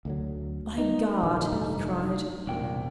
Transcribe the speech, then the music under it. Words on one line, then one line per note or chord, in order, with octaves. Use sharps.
"By God!" he cried.
D2 D3 F#3
B3 D#4
A#1 D#3 F#3
F1 G2 A3
E1 C2 A#2 G5